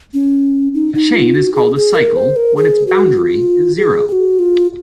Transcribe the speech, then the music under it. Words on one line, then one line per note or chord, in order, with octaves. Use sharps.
A chain is called a cycle when its boundary is zero.
C#4
D#4
D#4
F4
F#4
G#4
G#4
A#4
C5
A#4
G#4
F#4
F4
G#4
G#4
F#4
F4